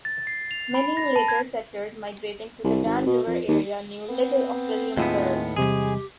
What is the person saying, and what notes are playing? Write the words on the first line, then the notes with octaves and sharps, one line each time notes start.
Many later settlers migrating to the Dan River Area knew little of William Byrd.
A6
C7
F7
B5
A#6
A5
G#6
C2
G#1
B2
F2
D#2
B3 C4
D#2 A2 G#3 B3 F4
E2 C3 G3 G#3 G4 G#4